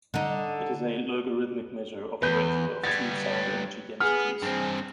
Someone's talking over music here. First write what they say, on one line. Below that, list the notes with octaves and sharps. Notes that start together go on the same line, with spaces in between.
It is a logarithmic measure of the ratio of two sound energy densities.
D3 D#4
E2 B4 G6
G3 B3 G#6 A6
B3 G#4 F6
G2 C4